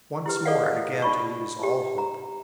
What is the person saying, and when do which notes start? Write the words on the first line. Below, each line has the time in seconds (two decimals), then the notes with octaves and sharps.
Once more I began to lose all hope.
0.26 E4 G4 B4
0.45 G#4 A4 D5 D#5 F5 F#5
1.02 D#4 D5 B5 C#6
1.63 G4
1.98 A#5